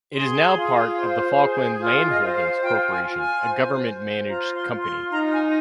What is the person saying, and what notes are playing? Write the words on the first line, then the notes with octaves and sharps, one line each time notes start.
It is now part of the Falkland Landholdings Corporation, a government-managed company.
G#4 C6
F4
C5
G#4
F4
D#5
C5
F5
F4 G5
G#5
F4
G#5
C5
C5
F4 A#5
C6
F4
C6
D#4 A#5
G#5